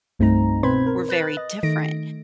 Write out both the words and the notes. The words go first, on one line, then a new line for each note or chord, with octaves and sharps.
we're very different.
C2 G2 A3 C4 D#4 A#5
B2 C4 B4 C5 B5 G#6
A#4
B4 F#6 A6
D#5
D#3 A3 A#6 D7